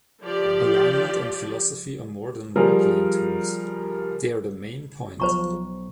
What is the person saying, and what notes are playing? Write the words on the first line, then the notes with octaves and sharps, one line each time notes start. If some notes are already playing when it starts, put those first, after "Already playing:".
Alignment and philosophy are more than roleplaying tools -- they're the main point.
F3 G4 D5
F3 G3 G#4 A#4
B1 F3 C5 A#5 C#6